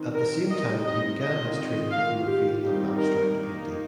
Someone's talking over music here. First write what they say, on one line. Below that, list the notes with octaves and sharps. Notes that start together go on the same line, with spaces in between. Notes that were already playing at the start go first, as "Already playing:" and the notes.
At the same time he began his training in the field of abstract painting.
Already playing: D#3 C4 D#4
A#4
G3 C4 D#4 D#5
D#5
D#3 C4 F4 D#5
D#5
D#3 A#3 F4 F5
G4
D#3 G3 C4 D#4 G4
A#4
D#3 A#3 D#4